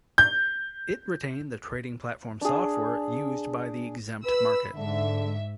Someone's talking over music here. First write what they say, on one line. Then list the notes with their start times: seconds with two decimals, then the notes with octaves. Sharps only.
It retained the trading platform software used by the exempt market.
0.18 G6
2.41 D4 G#4
4.24 B4 B5 E6
4.74 G#2 D3 E5